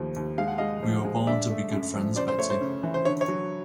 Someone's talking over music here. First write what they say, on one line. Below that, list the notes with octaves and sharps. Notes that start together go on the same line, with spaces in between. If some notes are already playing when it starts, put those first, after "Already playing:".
We were born to be good friends, Betsy.
Already playing: D#2 F3 A3
D#2
G#3 F5
F#5
G#3 D#5 F5
F3
G#3
D3 D5 E5
A3
F#2
F3
C#3 C5 D5
C5
A3 C#5
C5
C#3
E3
C5
D3 C#5
C#5
F#3